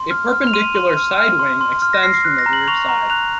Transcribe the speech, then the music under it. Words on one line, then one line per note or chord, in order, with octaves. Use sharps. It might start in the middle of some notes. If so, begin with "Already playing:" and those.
A perpendicular side wing extends from the rear side.
Already playing: C6
F6
F6
F7
C6 D#7
C6
F6
F6
C6
C6
F6
A#6
F6 C7
C7
F#6
A#6
A#5
F#7
C#6 F7
A#5
F#6 F7